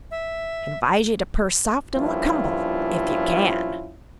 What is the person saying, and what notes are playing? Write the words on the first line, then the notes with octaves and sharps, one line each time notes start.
Advise you to purr soft and look humble--if you can.
E5
G2 A#2 F3 C#4 E4 F4